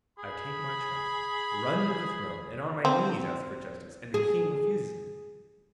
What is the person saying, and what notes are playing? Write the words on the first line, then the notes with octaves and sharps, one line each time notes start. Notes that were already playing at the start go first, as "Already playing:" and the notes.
I take my child, run to the throne, and on my knees ask for justice, and the King refuses me.
G#4 B5
C4
G#4